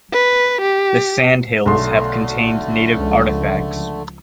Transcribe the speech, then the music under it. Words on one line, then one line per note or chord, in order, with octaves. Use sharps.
The sand hills have contained native artifacts.
B4
G4
B1 D3 A3 C6
C#2 F3